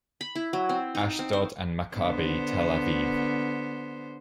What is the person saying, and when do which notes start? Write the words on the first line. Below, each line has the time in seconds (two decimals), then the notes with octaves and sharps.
Ashdod and Maccabi Tel Aviv.
0.21 B5
0.36 E4
0.53 F#3
0.69 C4
0.95 D#4
1.19 C4
1.33 C5
1.95 D3 B3 C5